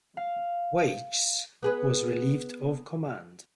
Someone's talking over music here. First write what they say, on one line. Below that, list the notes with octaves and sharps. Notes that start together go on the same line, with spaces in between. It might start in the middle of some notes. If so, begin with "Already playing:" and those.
Weichs was relieved of command.
F5
B3 G#4 B4